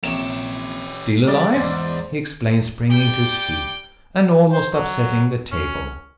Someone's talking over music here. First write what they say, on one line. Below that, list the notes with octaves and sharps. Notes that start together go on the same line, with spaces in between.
"Still alive!" he exclaims, springing to his feet, and almost upsetting the table.
A#1 C3 C#4 G4 C#5 E7
C#3 G3 E4 G#4 D5
E2 G#2 C5
G3 G4 G5
C5
F#3
C#4